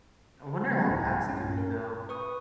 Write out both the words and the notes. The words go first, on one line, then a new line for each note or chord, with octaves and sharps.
I wonder how that's doing though.
C#3 F3 G3 A3 B3
C2 G#2 E4
G2 C#4
A#4
B4 C#6 D#6